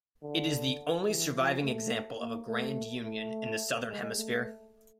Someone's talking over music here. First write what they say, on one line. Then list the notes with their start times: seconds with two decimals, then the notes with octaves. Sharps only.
It is the only surviving example of a grand union in the southern hemisphere.
0.23 D3
1.06 E3
1.35 F3
1.63 A3
2.20 A#3
2.48 A3
3.04 A3
3.88 G#3
4.17 A3